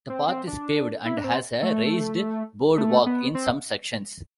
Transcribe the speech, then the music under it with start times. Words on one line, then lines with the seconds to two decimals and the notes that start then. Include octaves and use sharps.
The path is paved and has a raised boardwalk in some sections.
0.10 C4
0.28 C4
0.47 D4
1.05 E4
1.17 D4
1.24 C4
1.62 A3
2.78 A3
3.06 B3
3.35 C4